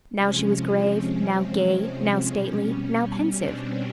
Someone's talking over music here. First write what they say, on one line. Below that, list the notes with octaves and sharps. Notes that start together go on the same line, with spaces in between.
Now she was grave, now gay, now stately, now pensive.
C3 F3 G#3 C#4
C4
C#4
B2 G3
C4 D4